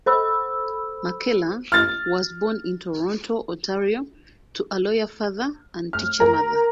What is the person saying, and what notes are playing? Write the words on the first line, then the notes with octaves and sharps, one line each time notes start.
McKellar was born in Toronto, Ontario to a lawyer father and teacher mother.
A4 C5 B5 E6
F6 A6
F6
A#4